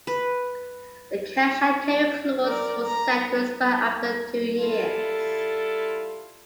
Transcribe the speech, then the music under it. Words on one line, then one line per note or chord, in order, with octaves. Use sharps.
The cash-and-carry clause was set to expire after two years.
B4
A#4 D5
A#5
G3 E4 F4 A4